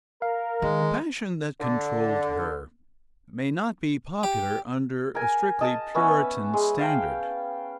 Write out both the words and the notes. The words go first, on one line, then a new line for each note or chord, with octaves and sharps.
The passion that controlled her may not be popular under a strictly Puritan standard.
A#4 F5
D#3 G#3
D3
G4
A#4 G#5
D#5 A5
B3 C#4 E5
G#3
F5 G5 A5